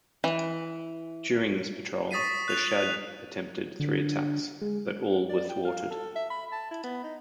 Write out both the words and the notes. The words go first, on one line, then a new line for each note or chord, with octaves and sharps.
During this patrol, the "Shad" attempted three attacks but all were thwarted.
E3
C#6 D#6 A6 B6 C7 D#7
F#6 F7
D3
G#3
D5
G5
F5
A4
E5
B5
A5
E4
B3
D#4